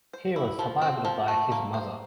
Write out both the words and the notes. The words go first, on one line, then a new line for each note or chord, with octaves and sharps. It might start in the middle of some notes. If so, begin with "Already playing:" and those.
He was survived by his mother.
C5
E4
F3
C4
F3
A3
A#3
C5